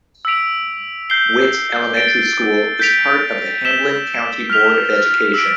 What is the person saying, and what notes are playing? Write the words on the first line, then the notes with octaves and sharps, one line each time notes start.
Witt Elementary School is part of the Hamblen County Board of Education.
E6 B6 D7 F7
G6 C7 G7
A6 D7 G7
G6 B6 D7 F7
E6 B6 E7 G7
F6 B6 F7
E6 B6 D7